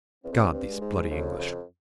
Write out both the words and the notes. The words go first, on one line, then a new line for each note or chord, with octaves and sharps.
God, these bloody English!
E2 C4
F2
E2
G2
G#3
G#2
F2 C#3
F2